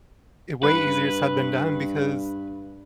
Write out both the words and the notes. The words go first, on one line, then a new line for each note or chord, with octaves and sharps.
way easier said than done because,
G2 B4